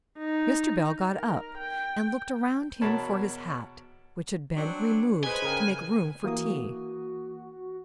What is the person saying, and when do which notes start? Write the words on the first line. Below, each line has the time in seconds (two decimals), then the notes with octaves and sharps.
Mr. Bell got up and looked around him for his hat, which had been removed to make room for tea.
0.18 D#4
1.12 A#4
1.57 G5
2.81 E2 B2 A#4 C#5 A5 B5
4.57 F#3 C4 D4
5.24 G#3 B4 C5 G#5 F#6 G7
5.42 C#3 A#4 G5
6.24 E3 A#3 F#4 D#6